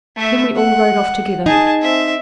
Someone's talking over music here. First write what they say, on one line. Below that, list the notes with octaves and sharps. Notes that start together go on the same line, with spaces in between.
Then we all rode off together.
A3 E5
F#5
D#4 G#4 A5
C4 E5